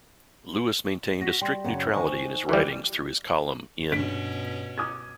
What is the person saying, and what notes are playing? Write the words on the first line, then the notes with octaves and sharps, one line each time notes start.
Lewis maintained a strict neutrality in his writings through his column ' in '.
F#4 A#6 B6
G3 G5 C6
F#2 C#3
D#3 C5 D#5 G#5 C#6
E3 G3
G2 B2 C#4 B6 D7
D6 D#6 G#6